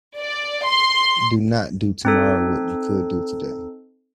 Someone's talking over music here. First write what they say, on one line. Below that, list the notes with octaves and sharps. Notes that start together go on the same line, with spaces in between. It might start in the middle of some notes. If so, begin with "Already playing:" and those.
Do not do tomorrow what you could do today.
D5
C6
C4 D#4 A4